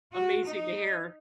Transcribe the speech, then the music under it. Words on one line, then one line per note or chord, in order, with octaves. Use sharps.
amazing to hear.
F#4
D#4